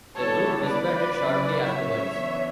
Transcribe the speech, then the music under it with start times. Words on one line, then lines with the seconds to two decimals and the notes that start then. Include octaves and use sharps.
The group disbanded shortly afterwards.
0.16 D3 G3 B3 E4 A4 C#5
0.64 B4 D5
1.13 C#3 F#3 C#4 E4
1.62 C#5 E5
2.12 E3 B3 D4